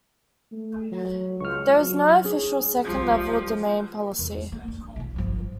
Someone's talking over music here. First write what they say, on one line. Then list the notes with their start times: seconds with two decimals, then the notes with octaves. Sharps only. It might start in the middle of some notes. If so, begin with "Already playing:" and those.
There is no official second-level domain policy.
0.52 A3
0.92 F#3
1.41 C#2 C#6 F6
1.78 F#3
2.25 C#4 G#4
2.84 F3 G3
4.19 E2
4.52 A#3
4.68 D4
4.96 B1 E2
5.16 G1 F3